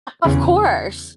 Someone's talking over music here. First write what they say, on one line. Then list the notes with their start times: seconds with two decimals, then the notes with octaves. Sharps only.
Of course.
0.24 E2 C#3